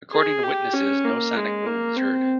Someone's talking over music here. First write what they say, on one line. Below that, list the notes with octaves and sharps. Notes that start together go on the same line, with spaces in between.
According to witnesses no sonic boom was heard.
G#4
G4
C#4
A#3
G#3
A#3
C4